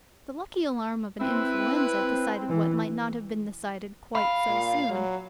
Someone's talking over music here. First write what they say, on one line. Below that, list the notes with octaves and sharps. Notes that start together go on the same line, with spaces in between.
The lucky alarm of an influenza decided what might not have been decided quite so soon.
C4 E4 B4
E3
F5 B5
A#2
F#3